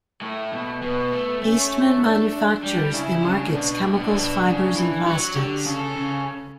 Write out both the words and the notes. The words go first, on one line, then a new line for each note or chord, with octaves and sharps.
Eastman manufactures and markets chemicals, fibers and plastics.
A2 A3
B2
B2 B3
A3
A3 C#4
D4
D4
G3 D4
C#3 E4
C#3 D4
A2
B2 D4
A2
B2
A2
B2
C#3
E3
F#3 F#4
D3 G4
C#3 A4
C#3